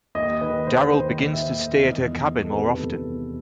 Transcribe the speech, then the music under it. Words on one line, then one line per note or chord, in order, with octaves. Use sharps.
Daryl begins to stay at her cabin more often.
D#2 D#5
D#3 B4
D#2 C5
D#3 C5
D#2
E5
D#3
E2 D#5
E2
D#5
D#3
A4
C3 B4
E2
E2